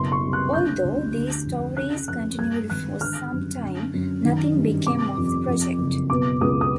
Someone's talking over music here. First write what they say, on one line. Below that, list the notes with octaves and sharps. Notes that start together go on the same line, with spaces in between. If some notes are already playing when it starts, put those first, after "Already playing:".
Although these stories continued for some time nothing became of the project.
Already playing: F#1 B2 C6
C#6
C2
F#6
D3 G6
D2
D3
F2
C#3 F#6
F2 F#6
G2 G#6
G#1 F#6
D3 F6
F#2
D3
F#2
D#3
G2
C3 D6
F2
F2
F#1
B2 D6
C#2 D#6
D#6